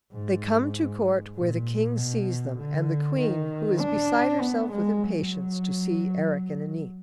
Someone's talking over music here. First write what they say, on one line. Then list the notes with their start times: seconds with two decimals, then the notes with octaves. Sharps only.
They come to court, where the King sees them, and the Queen, who is beside herself with impatience to see Erec and Enide.
0.12 G#2
1.35 A#2
1.97 B2
2.58 D3
3.19 D#3
3.80 D4
4.41 B3
4.72 G#3
5.03 F#3